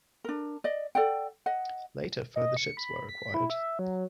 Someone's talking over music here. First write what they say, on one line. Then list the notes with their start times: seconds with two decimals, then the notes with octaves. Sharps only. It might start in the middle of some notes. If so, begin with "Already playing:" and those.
Later further ships were acquired.
0.24 D4 A#4
0.64 D5 D#5
0.95 A4 D5 F#5 G5
1.46 D#5 F#5
2.36 D#5
2.57 C#7
2.77 B5
3.09 B6
3.34 E4
3.50 E5
3.79 F#3